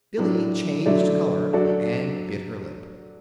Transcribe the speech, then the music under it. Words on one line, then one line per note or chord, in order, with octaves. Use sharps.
Billy changed color and bit her lip.
A2 F#3 D4
D3 F#3 A3 E4 D5
F#3 D4 F#4 A4 D5